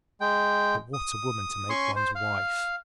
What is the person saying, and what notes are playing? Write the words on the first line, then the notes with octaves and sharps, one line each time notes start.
But what a woman to make ones wife!
G#3 G5
D#6
C#4 G#5 C6 C#6
C5
F5